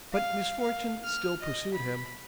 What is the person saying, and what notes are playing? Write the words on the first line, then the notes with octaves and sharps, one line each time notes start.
But misfortune still pursued him.
F5
F5
F6
D#5
B5